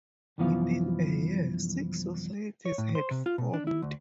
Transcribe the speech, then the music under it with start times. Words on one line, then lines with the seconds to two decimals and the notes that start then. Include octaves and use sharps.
Within a year, six societies had formed.
0.38 C2 F#2 E3 F3 B3 F5
2.66 C#5
2.78 A2
2.95 C5
3.11 C3
3.26 F4
3.38 B2
3.54 D4
3.67 E4
3.82 D2